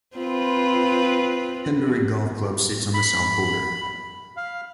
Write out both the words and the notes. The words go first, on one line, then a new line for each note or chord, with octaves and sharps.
Henbury Golf Club sits on the south border.
C4 F4 B4
B5
F5